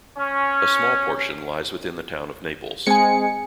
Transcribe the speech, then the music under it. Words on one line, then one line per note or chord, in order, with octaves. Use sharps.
A small portion lies within the Town of Naples.
C#4
G#3 C4 G#4 G#5 C#7